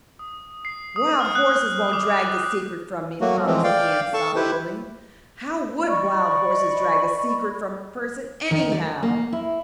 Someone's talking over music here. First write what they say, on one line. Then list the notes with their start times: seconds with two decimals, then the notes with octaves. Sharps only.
"Wild horses won't drag the secret from me," promised Anne solemnly. "How would wild horses drag a secret from a person anyhow?"
0.19 D#6
0.65 C7
0.96 D#6
1.20 F6
1.35 F#6
1.54 G6
1.93 D6
3.21 F#3 A3 A#3 F#4
3.46 E3 F3 G#3 A3 C4
3.64 D5 F5 G5
4.14 A4 A5 C#6
4.36 E4 G4 B4 C5
5.87 D5 D#5 B5 C#6
8.51 D#3
8.72 D5
9.03 A#3
9.33 E4